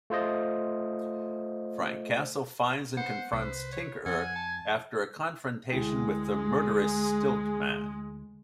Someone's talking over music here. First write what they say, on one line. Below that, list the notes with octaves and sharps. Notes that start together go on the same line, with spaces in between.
Frank Castle finds and confronts Tinkerer after a confrontation with the murderous Stilt-Man.
A3 F4 C5 D#5
B3 C5 F#5
C2 B4 C5
C#5
F2 F#5 G#5
A5
D2 G#3 E4 G#4 G5